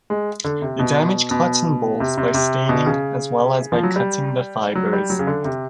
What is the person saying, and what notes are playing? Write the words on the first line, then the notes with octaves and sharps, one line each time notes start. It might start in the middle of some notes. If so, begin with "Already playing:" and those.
They damage cotton bolls by staining as well as by cutting the fibres.
G#3
D3
C3
B2
B2
C3
C3
C3
B2
C#3
F3
F#3
G3
F#3
G3
F#3
C#3
D3
C3